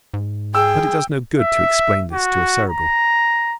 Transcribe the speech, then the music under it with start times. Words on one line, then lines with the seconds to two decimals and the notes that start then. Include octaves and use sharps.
But it does no good to explain this to a Cerebral.
0.14 G#2
0.54 G#4 G5 E6
1.40 E5
2.13 F#4
2.69 A#5